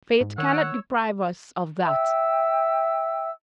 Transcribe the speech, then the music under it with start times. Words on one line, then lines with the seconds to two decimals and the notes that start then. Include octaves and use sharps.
Fate cannot deprive us of THAT.
0.21 G#2
0.38 D#3 C#5 F#5 E6
1.86 E5 G5 E6